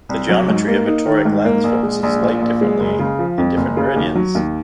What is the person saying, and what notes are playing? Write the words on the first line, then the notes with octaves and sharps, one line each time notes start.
The geometry of a toric lens focuses light differently in different meridians.
C2
F#3
G#2
A#3
D#4
D#3
G#2
A#3
A#1
G#3
A#1
A#2
A#1
G#3
F#1
C#3
F3
F2
F#1
C#3
D#2
F#3
D#2